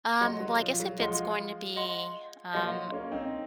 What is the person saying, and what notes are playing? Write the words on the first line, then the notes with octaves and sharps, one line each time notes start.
Um, well, I guess if it's going to be, um,
F#3 D#5 F#5 C6
F#3
F3
F#3
F3 G#3 D#5 F#5 C6
D#5 F#5 C6
F#3 A#3 D#5 F#5 C6
A#3 C#4
C4 D#4